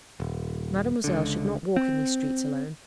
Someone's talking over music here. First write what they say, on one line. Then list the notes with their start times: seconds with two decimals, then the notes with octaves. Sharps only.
Mademoiselle should not walk in these streets alone.
0.20 D#1
1.04 C#2 D3
1.76 C4